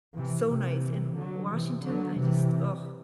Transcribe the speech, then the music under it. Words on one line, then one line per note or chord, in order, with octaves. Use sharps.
So nice. In W Washington, I just ugh,
C3 E3
C3 E3
D3 F#3
C3 E3
D3 F#3
C3 E3